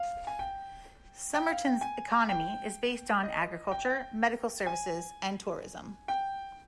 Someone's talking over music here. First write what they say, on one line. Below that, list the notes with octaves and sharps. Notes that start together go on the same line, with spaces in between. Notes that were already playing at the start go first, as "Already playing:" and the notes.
Somerton's economy is based on agriculture, medical services, and tourism.
Already playing: F5
G#5
G5
G5
F5
G5
G#5
G5
D#5
G5
G#5
G5